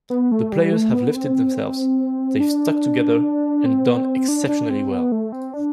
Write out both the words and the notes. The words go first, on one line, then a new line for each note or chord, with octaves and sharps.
The players have lifted themselves - they've stuck together and done exceptionally well.
B3
A3
G3
A3
B3
C4
D4
C4
B3
C4
D4
D4
C4
B3
A3
C4
D4